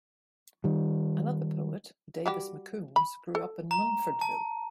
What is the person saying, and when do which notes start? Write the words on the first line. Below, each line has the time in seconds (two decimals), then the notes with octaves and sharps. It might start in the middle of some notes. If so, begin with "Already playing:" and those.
Another poet, Davis McCombs, grew up in Munfordville.
0.64 D#3 G3
2.26 G3 F#4 G4
2.96 B5
3.35 A4
3.71 A#5
4.21 A5